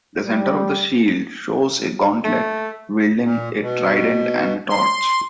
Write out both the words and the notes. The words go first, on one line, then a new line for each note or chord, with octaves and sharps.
The center of the shield shows a gauntlet wielding a trident and a torch.
G3
A3
A#2
B2
C6